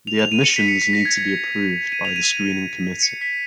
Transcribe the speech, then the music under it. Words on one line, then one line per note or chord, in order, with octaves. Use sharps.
The admissions need to be approved by the screening committee.
F7
F7
D#7
C#7
B6
C#7
B6
A#6
G#6
A#6
D#7
F7
D#7
C#7
B6